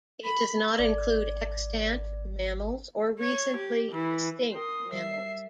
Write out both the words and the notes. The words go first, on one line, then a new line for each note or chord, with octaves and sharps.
It does not include extant mammals or recently extinct mammals.
B5
G#1 D5
C#5
G4
E3
A#4 G5 C6 D#6 G6
G3 E5 C7